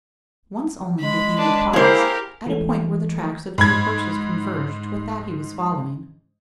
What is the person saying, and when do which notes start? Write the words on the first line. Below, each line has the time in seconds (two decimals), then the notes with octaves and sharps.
Once only did he make pause; at a point where the tracks of two horses converged with that he was following.
1.00 G#3 B5
1.38 D4 B4
1.73 A#3 E4 G4 G#4 A#4 C5
2.46 E3 G#3 A3
3.58 G#2 B5 G#6